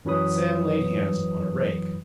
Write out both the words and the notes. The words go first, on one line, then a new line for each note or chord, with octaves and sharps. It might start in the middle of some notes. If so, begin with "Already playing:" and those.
Sam laid hands upon a rake.
F#2 E3 F#3 B4 B5 D#6